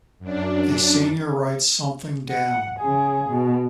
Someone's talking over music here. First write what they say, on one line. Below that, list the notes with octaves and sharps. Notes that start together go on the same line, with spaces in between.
A senior writes something down.
F#2 D4
F#5
C#3 G#4
B2